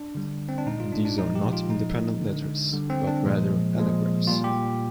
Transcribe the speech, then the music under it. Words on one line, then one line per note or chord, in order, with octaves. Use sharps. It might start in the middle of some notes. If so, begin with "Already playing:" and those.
These are not independent letters, but rather allographs.
Already playing: D4
D3 G3
C4
D4
A#2 G#3 D#4
F4
D4
D4
A#2 F3 G#3 D#4
G4
F4
A#2 F3 G#3 D#4
D3 G#3
D3 G3
C4
D4
A#2 F3 G#3
A#2 F3 G#3
A#2 G3 F4
G4